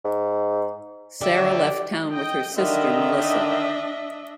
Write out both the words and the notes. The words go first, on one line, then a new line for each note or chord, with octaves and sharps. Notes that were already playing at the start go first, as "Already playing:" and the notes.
Sarah left town with her sister, Melissa.
G#2
D3 G4 D5 E5
D#5 G5
D3 D#3 D4 D#5 E5